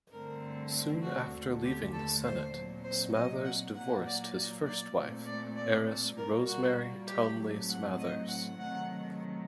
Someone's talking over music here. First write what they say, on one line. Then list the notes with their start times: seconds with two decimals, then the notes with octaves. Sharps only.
Soon after leaving the Senate, Smathers divorced his first wife, heiress Rosemary Townley Smathers.
0.11 G2 D3 A3 C4 A#4
1.01 F#4
1.32 D#2 D3 A3
1.63 G4
1.92 A4
2.23 C5
2.53 A#2 F#3 C4
2.83 C5
3.14 D#5
3.44 F#5
3.74 A#2 F#3 A#3 F#5
4.05 D5
4.65 D5
4.95 A#2 A3 C4
5.25 D5
5.55 D5
6.16 A#2 G3 A#3 A#4
6.46 F#4
7.06 G4
7.37 A2 F#3 A3 C4
7.68 F#5
7.98 D#5
8.28 F#5
8.58 C3 D#3 F#3 A3 F#5